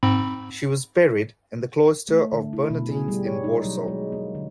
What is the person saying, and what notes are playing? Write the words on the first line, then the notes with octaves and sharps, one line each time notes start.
She was buried in the cloister of Bernardin's in Warsaw.
G#2 C4 B5
A3
D3
E4
B2
G#4
G3
C#5
D#4
F#3
G#3
A#3
D3